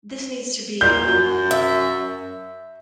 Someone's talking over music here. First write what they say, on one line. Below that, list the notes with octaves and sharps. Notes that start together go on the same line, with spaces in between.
This needs to be, um,
A#2 G6
F#2
E5